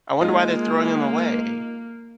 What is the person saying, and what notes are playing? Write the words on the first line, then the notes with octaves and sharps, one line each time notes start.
I wonder why they're throwing 'em away.
G#3 A#3 D#4 F4